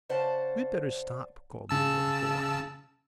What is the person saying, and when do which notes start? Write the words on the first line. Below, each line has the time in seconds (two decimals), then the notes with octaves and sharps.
"We had better stop," called Lulu, after a while.
0.09 C#3 C5 D5 F#5 A5
1.69 C#3 A5 E6